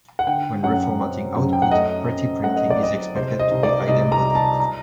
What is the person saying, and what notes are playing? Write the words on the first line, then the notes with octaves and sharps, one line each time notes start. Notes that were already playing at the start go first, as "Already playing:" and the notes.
When reformatting output, pretty-printing is expected to be idempotent.
F#5
D3 G5
F#2 F#5
C4
F#2
G5
F#5
A3 D#5
C4
A3 F#5
D#5
D5
C4 D#5
C2 C5
D#5
C2
D5
C2 D#5
A#5
G3
A5
A#5